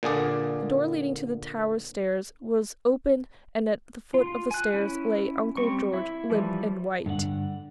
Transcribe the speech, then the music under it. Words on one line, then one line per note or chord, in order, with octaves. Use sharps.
The door leading to the tower stairs was open and at the foot of the stairs lay Uncle George, limp and white.
A#2 D3 G#4 D5
F4
G#5 F#6
C#4 E4
G3 C4 C#6
E4
E3 F3 G3
G2 D3 G4 F#5